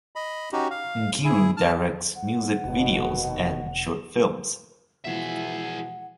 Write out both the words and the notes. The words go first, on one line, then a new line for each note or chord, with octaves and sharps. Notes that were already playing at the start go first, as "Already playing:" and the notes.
Nkiru directs music videos and short films.
D#5 B5
C#4 D#4 F#4 G4
F5
E4 G#4
A5 F6
F#5
F1 D#2 B2
B2 E3 F3 G#3 E4 G#4 E5 F#5